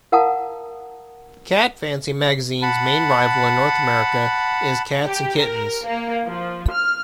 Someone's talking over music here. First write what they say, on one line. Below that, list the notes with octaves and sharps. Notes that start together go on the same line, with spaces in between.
"Cat Fancy" magazine's main rival in North America is "Cats and Kittens".
A#4 F5 F#5 A5 A#5 D#6
F#5 A5 B5
G4
A#4
A#3
F3
F6